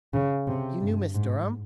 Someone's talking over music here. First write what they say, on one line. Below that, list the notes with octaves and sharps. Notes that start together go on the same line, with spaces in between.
"You knew Miss Durham?"
C#3
C3
G2
G#2